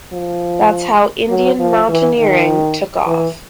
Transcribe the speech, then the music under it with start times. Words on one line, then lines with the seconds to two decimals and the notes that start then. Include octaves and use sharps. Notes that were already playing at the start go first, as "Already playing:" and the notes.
That’s how Indian mountaineering took off.
0.12 F3
1.29 F#3
1.59 F3
1.89 E3
2.18 D#3
3.07 E3